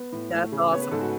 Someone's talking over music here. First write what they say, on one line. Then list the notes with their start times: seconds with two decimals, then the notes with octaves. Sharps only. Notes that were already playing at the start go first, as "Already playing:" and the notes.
That's awesome.
Already playing: B3
0.13 A2
0.32 A3
0.52 C#3
0.72 B3 C#5
0.82 B4
0.91 G#2 A4
1.01 F#4